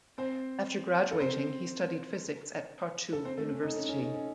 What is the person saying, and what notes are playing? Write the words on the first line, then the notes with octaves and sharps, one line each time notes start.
After graduating he studied physics at Tartu University.
C4 C5
A4
C4 C5
A4
C4 C5
A3 A4
C#4
D#4
C#4
C#4
D#4
C#4